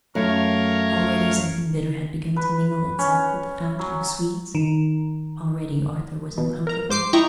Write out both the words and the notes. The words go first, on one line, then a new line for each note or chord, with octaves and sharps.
But already something bitter had begun to mingle itself with the fountain of sweets: already Arthur was uncomfortable.
F#2 A3 A#4 C#5 F5
B4
C#4
F#3
D#3
B2
A#4 A#5
G#2 C5 D6 C7
E4 D#5 G5 A#5 C#6